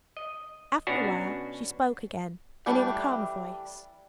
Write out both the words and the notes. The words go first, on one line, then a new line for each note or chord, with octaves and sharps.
After awhile, she spoke again, and in a calmer voice.
D#5
B2 C#4 D4 F#4
E3 G3 A3 D4